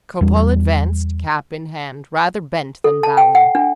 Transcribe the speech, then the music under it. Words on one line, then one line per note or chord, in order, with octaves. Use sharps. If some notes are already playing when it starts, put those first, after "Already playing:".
Cropole advanced, cap in hand, rather bent than bowing.
E2 G3
A4
A5
G5
F#5
D4